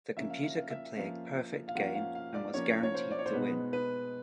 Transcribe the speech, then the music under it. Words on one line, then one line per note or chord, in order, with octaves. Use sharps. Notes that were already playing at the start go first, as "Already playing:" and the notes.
The computer could play a perfect game and was guaranteed to win.
F3 A#3 C#4 E5
F5
E5
F5
E5
F3 A#3 C#4 F5
F5
F3 A#3 C#4 F#5
F5
F5
D5
F3 A#3 C#4 C#5
C#5
C5
D5
C#5
C5
B2 G#3 B3 D#4 B4
B4